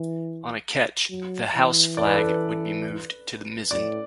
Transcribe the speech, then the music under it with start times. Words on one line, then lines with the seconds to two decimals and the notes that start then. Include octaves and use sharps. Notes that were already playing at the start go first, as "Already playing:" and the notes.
On a ketch, the house flag would be moved to the mizzen.
Already playing: E3
1.10 F#3
1.54 E3
1.97 D5
2.05 B4
2.14 A4
2.22 B4
3.71 A2 D5